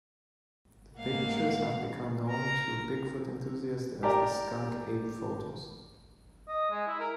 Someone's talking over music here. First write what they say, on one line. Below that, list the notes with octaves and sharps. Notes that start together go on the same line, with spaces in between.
The pictures have become known to Bigfoot enthusiasts as the "skunk ape photos".
A2 G#3 A#3 F5 F#5
A#4 A#5
G4 A#4 D5 A#5
D#5
G#3
E4
A#4